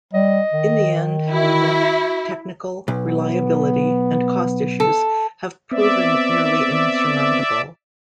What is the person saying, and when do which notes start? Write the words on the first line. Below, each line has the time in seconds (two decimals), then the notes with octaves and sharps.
In the end, however, technical, reliability, and cost issues have proven nearly insurmountable.
0.14 G3 D#5
0.53 D#3
1.32 E4 F#4
2.88 B1 B3
4.80 A4
5.72 B3 C4 D5 E5